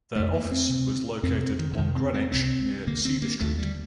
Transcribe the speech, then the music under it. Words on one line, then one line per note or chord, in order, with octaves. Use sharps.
Their office was located on Greenwich near Cedar Street.
F2 C3 A3
A#3
C4
D2 C3
F2 C3 C4
C4
D#3
D3
F2 C3 D#3
C4
C4
C2 C3 C4
D2 D3 A#3
C4
A#3
D#2 D3 A3
G3